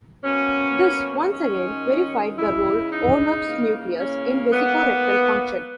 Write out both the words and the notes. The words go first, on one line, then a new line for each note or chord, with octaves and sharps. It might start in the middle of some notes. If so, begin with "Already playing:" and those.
This, once again, verified the role Onuf's nucleus in vesicorectal function.
B2 F#3 A#3 C#4
F#2 D#3 G#3 C#4
C#3 G#3 E4
D#4
C#3 E3 A#3
C#4
G#2 F#3 A#3 B3